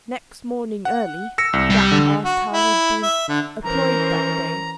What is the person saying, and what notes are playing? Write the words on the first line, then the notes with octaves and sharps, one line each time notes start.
Next morning early, Jack asked how he'd be employed that day.
F#5
E6 A#6 C#7
C2
G3
D3
F#4
E4
E5
D3
E3 C#4 A#4 C5 A#5